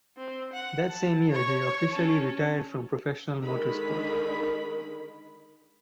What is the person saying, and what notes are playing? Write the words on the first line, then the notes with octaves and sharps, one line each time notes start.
That same year he officially retired from professional motorsport.
C4
F#5
A5
C#5 C#6
C#4 A5
D3 D#3 G#3 B5